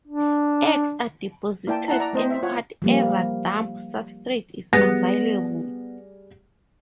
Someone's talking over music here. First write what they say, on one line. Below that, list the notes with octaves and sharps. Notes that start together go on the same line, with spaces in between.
Eggs are deposited in whatever damp substrate is available.
D4
A#3 E4 D5 G5 A5
E4 F#5 A5 A#5
D5 A#5
A3 C4 C5 D#5
C5 E5
F4 C#5 F#5
F3 G3 A#3
G3 B3 G#4 A#6